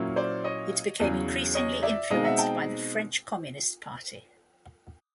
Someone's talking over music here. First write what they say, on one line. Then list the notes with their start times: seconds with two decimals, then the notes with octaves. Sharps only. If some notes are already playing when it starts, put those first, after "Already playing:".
It became increasingly influenced by the French Communist Party.
Already playing: A#2 F#3 A#3 C#4 E4
0.16 C5 D5
0.44 C#5 D#5
1.00 E2 C#3 F#3
1.55 C#5 D#5
1.83 D5 E5
2.10 B2 G#3 C4 D#4 D#5 F5
2.24 E5 F#5
2.38 G5 A5